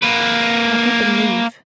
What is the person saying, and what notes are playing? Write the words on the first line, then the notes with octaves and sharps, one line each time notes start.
Pack up and leave.
A#3 B4